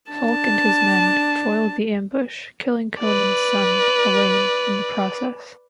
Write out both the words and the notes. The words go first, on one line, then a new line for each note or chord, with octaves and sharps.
Fulk and his men foiled the ambush, killing Conan's son, Alain, in the process.
D4 A5
B4 D5